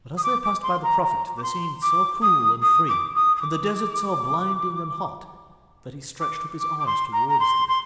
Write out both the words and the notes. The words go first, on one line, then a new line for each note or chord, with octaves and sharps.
But as they passed by the prophet they seemed so cool and free and the desert so blinding and hot that he stretched up his arms towards them.
D#6
D6
D6
C6
A#5
A#5
D6
C6
D6
D#6
D#6
D6
D#6
D#6
D6
D6
D6
D6
C6
A#5
A#5
C6
C6